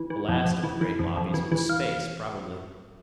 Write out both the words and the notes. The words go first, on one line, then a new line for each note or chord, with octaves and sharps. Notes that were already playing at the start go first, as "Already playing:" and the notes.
The last of the great lobbies was Space, probably.
Already playing: E3
E3
F2
F2
E3
E3
F2
F2
E3
E3
F5